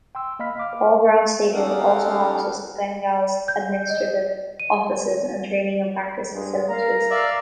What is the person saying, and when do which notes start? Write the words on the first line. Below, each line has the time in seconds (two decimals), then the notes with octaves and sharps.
Paul Brown Stadium also houses the Bengals' administrative offices and training and practice facilities.
0.15 G5 C6 E6
0.39 A#3 D#5 F5 B5 F6 B6
0.58 F5 D6 F6
1.53 C#4 D#4 G4 A4 F5 F#5
3.48 G6
3.90 D#5
4.60 D#7
6.33 G2 G#3
6.70 A#4 F5 A#5
7.10 D5 E5 F5